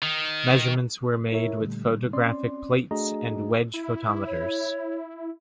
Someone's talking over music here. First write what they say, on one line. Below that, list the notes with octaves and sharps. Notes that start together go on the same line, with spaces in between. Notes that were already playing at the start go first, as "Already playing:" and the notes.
Measurements were made with photographic plates and wedge photometers.
D#3
E4 A#4 C#5 E5
A#2 D3 G3 A3
C4 C#4 D5 C6
A3 D4 F#4 G#4 D#5 A#5
E4
C#5